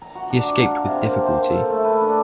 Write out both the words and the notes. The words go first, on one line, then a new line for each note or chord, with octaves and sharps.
He escaped with difficulty.
A#5
F#4
D4
F#4
F5
C3
A#3
C5
A4
A3
B4
D4